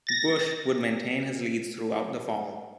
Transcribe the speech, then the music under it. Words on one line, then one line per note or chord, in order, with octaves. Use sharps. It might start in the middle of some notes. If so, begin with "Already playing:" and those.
Bush would maintain his leads throughout the fall.
A6 A#6